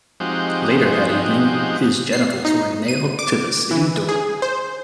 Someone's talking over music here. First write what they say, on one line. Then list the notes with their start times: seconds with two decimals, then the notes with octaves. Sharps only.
Later that evening, his genitals were nailed to the city door.
0.20 F3 G#3 C4 D#4 F#4 G4
2.13 C7
2.45 D#4
2.88 D#7
3.19 D6
3.71 E3
4.08 G#4
4.42 C5